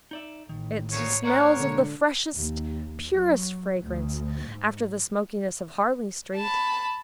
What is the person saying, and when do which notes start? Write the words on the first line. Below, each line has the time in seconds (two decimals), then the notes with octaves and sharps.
It smells of the freshest, purest fragrance, after the smokiness of Harley Street.
0.11 D#4 D5 E5
0.49 A1 D#3
0.92 D2 A#2 C#3 C#5
1.24 A#3 A#4 C#5 D5 F#5
1.56 B2 D3 G#3 D4
2.32 D#2
3.10 F#3
3.82 D2
4.46 G#2
6.36 A5 B5